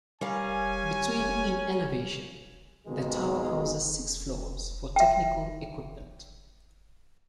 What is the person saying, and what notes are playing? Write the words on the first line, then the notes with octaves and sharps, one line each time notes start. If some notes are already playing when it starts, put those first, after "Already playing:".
Between in elevation, the tower houses six floors for technical equipment.
G3 C#4 A#4 F5 G#5
F2 B2 D#3 G#3
E5 G5